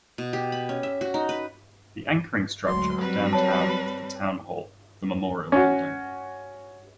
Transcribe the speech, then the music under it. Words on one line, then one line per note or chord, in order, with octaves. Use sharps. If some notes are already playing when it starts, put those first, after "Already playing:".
The anchoring structure of Downtown is the town hall, The Memorial Building.
B2
G4
B5
C#4
E5
F#4
D#4
B4
D2 F#3 G#3 C6
G3 C4 B4
C#5 A5
C#4 F#4